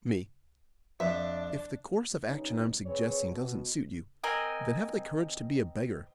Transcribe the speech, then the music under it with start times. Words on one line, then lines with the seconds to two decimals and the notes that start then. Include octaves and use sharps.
ME: If the course of action I'm suggesting doesn't suit you, then have the courage to be a beggar.
1.00 F2 D4 E5
2.27 G2 C#4 D#4
2.86 C4 G#4 B4 C#5
3.31 B2
4.24 C4 A#4 D#5 G#5